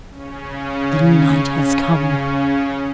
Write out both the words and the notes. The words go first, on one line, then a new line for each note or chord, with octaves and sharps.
The night has come!
C#3 C#4